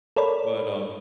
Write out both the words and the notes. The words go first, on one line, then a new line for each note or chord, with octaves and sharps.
but, um,
A4 A#4 C#5 D5 B5